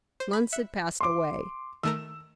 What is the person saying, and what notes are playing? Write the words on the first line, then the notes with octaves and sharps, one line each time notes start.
Months had passed away.
C5
B5
E5 F#6 C#7
C6 D6
D#3 A3 A#4 E6